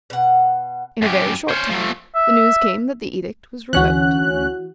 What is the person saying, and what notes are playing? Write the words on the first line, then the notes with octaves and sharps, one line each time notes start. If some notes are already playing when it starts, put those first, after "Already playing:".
In a very short time the news came that the edict was revoked.
B2 F#5
F#2 G4
C#4 C5
F3 A3
E5
D2 E3 C#4 F#4 F#6